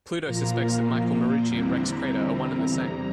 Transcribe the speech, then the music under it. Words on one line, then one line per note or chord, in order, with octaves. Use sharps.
Pluto suspects that Michael Marucci and Rex Crater are one and the same.
A#2 F3 A#3 F4 A#5
E2 D3 G3 C4 E4 A#5
E2 C3 G3